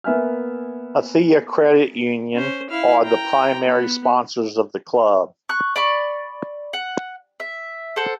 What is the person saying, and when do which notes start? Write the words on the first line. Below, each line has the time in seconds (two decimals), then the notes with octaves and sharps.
Athea Credit Union are the primary sponsors of the club.
0.04 A#3 B3 E5 G#5 F6
2.34 C#4 C5
2.70 E4 F5
3.04 G5 A#5
3.64 B3
5.49 C#6 F#6
5.76 D5 B5 C#6
6.73 F#5
7.40 E5
7.96 A4 C5 F#5